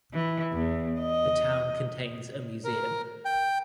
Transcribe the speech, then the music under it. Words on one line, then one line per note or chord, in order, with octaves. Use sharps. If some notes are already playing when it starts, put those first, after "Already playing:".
The town contains a museum.
E3
E2
D#5
A#4
G5